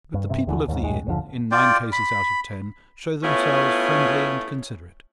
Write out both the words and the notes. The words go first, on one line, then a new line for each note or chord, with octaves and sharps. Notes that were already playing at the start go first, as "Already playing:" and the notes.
But the people of the inn, in nine cases out of ten, show themselves friendly and considerate.
G2
G2 C3
D#2 D3 E3
D#2 G#2
A#1 D#2 A2 G#3
F#1 D#2 D3 F3
F4 D5 G5
B5
A3 B3 C#4 E4 F4 C#5